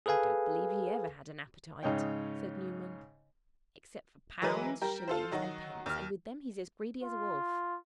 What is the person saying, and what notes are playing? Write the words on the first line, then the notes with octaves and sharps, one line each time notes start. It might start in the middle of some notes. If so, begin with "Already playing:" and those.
'I don't believe he ever had an appetite,' said Newman, 'except for pounds, shillings, and pence, and with them he's as greedy as a wolf.
G#4 A4 B4 F5 G#5
G#2 C#3 D#4 C#5 G5
E3 F#3 G#3 A#4 B4
G3 G4 A#4
F4 A4 C5
D#3 F#3 D#4 F#4
D#2 F6
F4